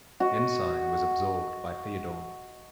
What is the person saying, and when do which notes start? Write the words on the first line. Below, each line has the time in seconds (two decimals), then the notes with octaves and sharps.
Ensign was absorbed by Theodore.
0.20 F#4 D#5